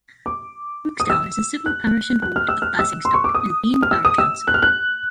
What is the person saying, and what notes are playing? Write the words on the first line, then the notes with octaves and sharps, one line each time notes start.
Rooksdown is a civil parish and ward of Basingstoke and Deane borough council.
D6
D#6
E6
F#6
F#6
F6
E6
F6
E6
C6
C#6
D6
D#6
F6
E6
D#6
E6
F#6
F6
F#6